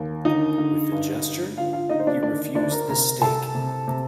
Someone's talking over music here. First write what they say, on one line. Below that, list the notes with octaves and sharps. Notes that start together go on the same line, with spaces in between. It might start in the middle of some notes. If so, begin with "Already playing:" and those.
With a gesture he refused the stake.
Already playing: D#2
D3 D#4 D#5
D3
G2
G2
D3 F4 F5
F4 F5
D3 D#4 D#5
C5
D4 D5
D#3 D4 D5
D2 D4 D5
A#4 A#5
C3 A#4 A#5
C2 A4 A5
C3
C3